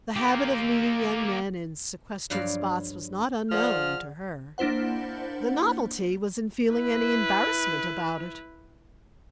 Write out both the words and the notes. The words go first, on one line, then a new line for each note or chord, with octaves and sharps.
The habit of meeting young men in sequestered spots was not unknown to her: the novelty was in feeling any embarrassment about it.
A#3 G4
G2 F3 F#3 B4 D5 F5
F3 G#4 D5 F#5 F6
A#3 D4 E4 C5 F#5
E4 B4